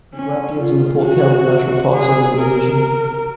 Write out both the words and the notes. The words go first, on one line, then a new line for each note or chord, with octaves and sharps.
The Grampians and the Port Campbell National Parks are in the division.
C#4
F4
F#4
G#4
A#4